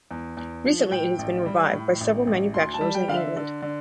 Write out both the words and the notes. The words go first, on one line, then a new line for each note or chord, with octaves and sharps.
Recently it has been revived by several manufacturers in England.
E2
E2
F3
A2 G5
A1
G3
A2
A1
A1
D2 C6
A5
G3
G5
D3 F5
E5
D3
D3